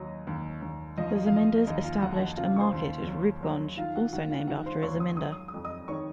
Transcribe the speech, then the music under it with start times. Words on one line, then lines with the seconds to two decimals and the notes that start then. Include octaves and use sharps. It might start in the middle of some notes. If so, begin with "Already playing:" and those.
The zamindars established a market at Roopgonj, also named after a zamindar.
Already playing: D#2 F#3 D#5
0.27 D#2
0.62 D#2
0.98 F3 D#5
1.07 F5
1.16 D#5
1.26 F5
1.32 F3 D#5
1.67 D#2 D#5
1.84 F4 F5
2.02 F3 F#4 F#5
2.13 A5
2.19 F#4 F#5
2.37 C#3 F4 F5
2.56 C#6
2.60 C5 C6
2.72 D#2
3.07 F#3
3.43 F#3
3.77 D#3 F4 F5
3.96 F#4 F#5
4.13 D#3 F#4 F#5
4.30 F4 F5
4.47 D#3 F#4 F#5
4.66 C5 C6
4.83 D#2 C#5 C#6
5.00 D#6
5.17 F#3 D#6
5.32 D#6
5.48 D#6
5.54 F2
5.65 D#5 D#6
5.88 D#3 C#5 C#6